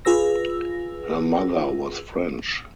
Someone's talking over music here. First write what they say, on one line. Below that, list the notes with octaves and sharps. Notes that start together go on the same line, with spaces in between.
Her mother was French.
F4 G#4 B4 E6 A#6